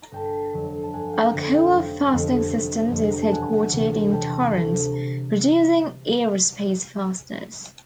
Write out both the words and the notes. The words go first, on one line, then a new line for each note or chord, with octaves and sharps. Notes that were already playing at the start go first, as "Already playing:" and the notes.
Alcoa Fastening Systems is headquartered in Torrance, producing aerospace fasteners.
A#5
G1 G5 A5
F2 D3 F#3
A5
G1 F#5 G#5
F5 G5
F2 D3 F#3
F5 G5
F1
F2 D3 G3
F1
F2 D3 G3
A#5
A5
E1 F#5 G#5
D2 C3 E3 G3
E1 G5 A5
D2 C3 E3 G3
A#5